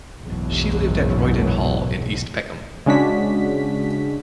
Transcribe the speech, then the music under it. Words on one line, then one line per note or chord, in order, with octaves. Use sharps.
She lived at Royden Hall in East Peckham.
F#1 B1 E2 G#2 B2 F#3
C#3 G#3 C#4 D4 F#4 B6